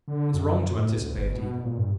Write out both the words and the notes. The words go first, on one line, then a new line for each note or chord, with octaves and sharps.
'It's wrong to anticipate evil.
D3
F#2
A2
D2
G1
B2
A#2
G2